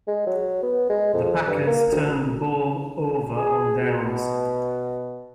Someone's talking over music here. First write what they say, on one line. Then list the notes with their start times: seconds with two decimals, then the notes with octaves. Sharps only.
The Packers turned the ball over on downs.
0.08 G#3
0.27 F#3
0.63 B3
0.90 G#3
1.14 F2
1.47 G2
1.67 A#3
1.92 D2
3.35 G#4
3.79 B2